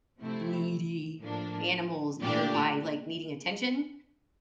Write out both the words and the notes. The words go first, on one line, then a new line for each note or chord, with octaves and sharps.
needy animals either by, like, needing attention,
C3 F3 A3 C4 E4
A2 F3 A#3 D4
A#2 A3 D4 G4 D5